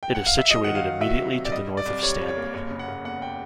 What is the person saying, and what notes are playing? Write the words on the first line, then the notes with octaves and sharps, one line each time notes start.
It is situated immediately to the north of Stanley.
G5
F#5
F5
E5
F#3 D#5
D#3 F#5
F5
F#3
F#3 E5
C3
F#3
D5
G3 D#5
G3
D5
C2
G3 C#5
C2
C#5
A#3
F#1 C#5
C#3
F#5
F#1
E2 F#5
G5